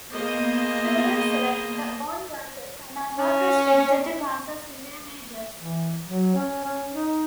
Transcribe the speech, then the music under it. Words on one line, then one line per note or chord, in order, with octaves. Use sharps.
Students select their own classes and are not restricted to classes in their majors.
A#3 B3 G#4 C5 D#5
C#4
E3
F#3
C#4
C#4
D#4